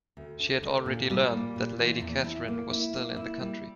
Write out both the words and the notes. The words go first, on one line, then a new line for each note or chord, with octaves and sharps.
She had already learnt that Lady Catherine was still in the country.
D2
D3
D2
A#2
G3
A#3
A#2
E3
E2
E4
A#3
E4
A#3
E4
G3